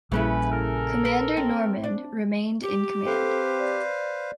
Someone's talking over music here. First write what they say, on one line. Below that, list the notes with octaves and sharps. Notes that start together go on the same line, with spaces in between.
Commander Normand remained in command.
A#1 C#3 G3 A#3 C#4 E4 A4 B4
A4 A#4
B4
C4
D4
G4
C4 A4 B4 C5 F5
D5